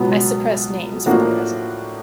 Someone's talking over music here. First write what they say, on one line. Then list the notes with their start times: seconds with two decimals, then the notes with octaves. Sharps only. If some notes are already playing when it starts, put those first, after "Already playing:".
I suppress names for the present.
Already playing: C#2 B2 F#3 B3
1.06 A2 F3 A#3 D4 F#4